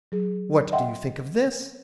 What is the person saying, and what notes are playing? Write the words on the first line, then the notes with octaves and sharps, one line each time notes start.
"What do you think of this?"
F#3 G#4
D#5 E5 F#5 G5 C6